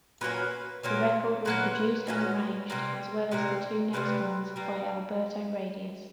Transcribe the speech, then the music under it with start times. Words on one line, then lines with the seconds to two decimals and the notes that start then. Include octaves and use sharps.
The record was produced and arranged, as well as the two next ones, by Alberto Radius.
0.21 A#2 F#3 A#3 C#4 B4
0.83 A#2 F#3 A#3 C#4
1.45 A#2 F#3 A#3 C#4 B4
2.07 A#2 F#3 A#3 C#4
2.70 C3 E3 G3 A#3
3.32 C3 E3 G3 A#3
3.93 C3 E3 G3 A#3 B4
4.56 G3 A#3